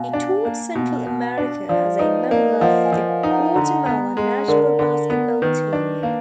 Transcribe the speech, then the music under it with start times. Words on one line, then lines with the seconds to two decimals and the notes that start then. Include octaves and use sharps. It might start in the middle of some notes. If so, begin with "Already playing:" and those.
He toured Central America as a member of the Guatemala national basketball team.
Already playing: B2 F5 G#5
0.13 D4
0.45 A#3
0.75 B2
1.07 B2
1.38 D4
1.69 F3 D5 F5
1.99 D#4 B4 D#5
2.31 A#3 A#4 D5
2.61 F3 D#5 F#5
2.85 F5 G#5
2.92 F3
3.08 F5 G#5
3.23 D#4
3.31 F#5 A#5
3.54 D3 F#5 A#5
3.86 B3
4.17 G#3
4.48 D3 A#4 D5
4.79 D3
5.10 B3
5.42 D#3 B4
5.73 D4
6.03 A#3